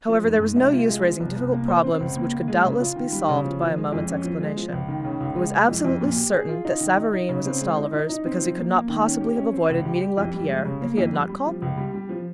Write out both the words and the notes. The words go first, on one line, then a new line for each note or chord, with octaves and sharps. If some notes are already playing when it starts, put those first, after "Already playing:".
However, there was no use raising difficult problems, which could doubt less be solved by a moment's explanation. It was absolutely certain that Savareen was at Stolliver's because he could not possibly have avoided meeting Lapierre if he had not called there.
F3
G#2
G#2
C3
F4
G#3
F3
C2
C2
A#3
C5
C4
C#2
A#3
A#3
G#3
C#3
F4
D#3
G3
C#3
F3
F3
G#3
F2
C#4
F3
G#3
F3
C#2
D#3
C#3
C#2
G#3
G#3
F2
F2
A#2
G4
G#4
F4
D#4
D#3
D#4
D#4
C#3
C4
G#3
D#4
D#4
D#4
C4
F3
A#3
A#3
D#3
C#4
G4
C#4
C4
C#2
G4
G4
F2
G3
G#3
C#3
A#3
F2
G3
G3
F3
C#2
G3
G3
F3